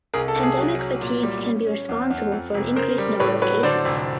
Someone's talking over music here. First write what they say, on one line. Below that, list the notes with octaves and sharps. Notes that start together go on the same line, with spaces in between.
Pandemic fatigue can be responsible for an increased number of cases.
C2 G#4 A#4
A4
C2
G#4
F#3
F#3
A#2
G3
C#4
C#4
E2
E2
F2
F1
C#3 A#4 C5
G3
A2 B4 C#5
F#3 B4 C#5
D3 C5 D5
F1